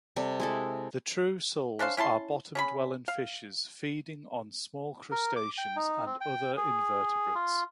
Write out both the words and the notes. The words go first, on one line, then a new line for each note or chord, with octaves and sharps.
The true soles are bottom-dwelling fishes feeding on small crustaceans and other invertebrates.
C3 G3 A4
G#3 E4 A4
C#4 D4 C5 F5
C#4 E4 A5 C6
C#4 G#4 B5
F5
A#4
D6
G5
D#4
C4
G5
G#4
F4